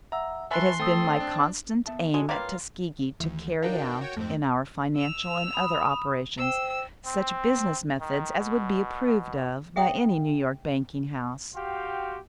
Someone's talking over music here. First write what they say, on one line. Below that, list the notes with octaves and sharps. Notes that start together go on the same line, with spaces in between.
It has been my constant aim at Tuskegee to carry out, in our financial and other operations, such business methods as would be approved of by any New York banking house.
E5 F#5 A#5 E6
B4 E5 G#5 A5 C6 C#6 F#6
A3 C4 G5 A5 D#6 E6
D4
B3 E5 A5
G#3 F#4 A4
A#3 F4 B4 C#5 G5
D2 D#3 E3
D4 D#4 F#4 A#4 F5 G5
F#4 C#5 G5
F2 G#2 A3 C4
E6 F7
B5 D#6
C5 G5 E6
C4
D#3
B2
G#4 E5 F#5 G5 D#6
F#4 G4 F5 G5 C6